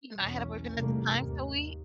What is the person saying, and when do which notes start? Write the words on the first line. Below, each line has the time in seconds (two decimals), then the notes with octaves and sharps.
you know, I had a boyfriend at the time. So, we
0.17 B1 E2 C#4
0.75 E2 G2 C3 D#3 A3 A#3
1.17 D#2